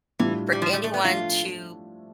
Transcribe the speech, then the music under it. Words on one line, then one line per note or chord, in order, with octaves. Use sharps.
for anyone to
A2 E3 G3 D4 F4
G3
F3
G3
A3
B3
F3 A3 D4 F4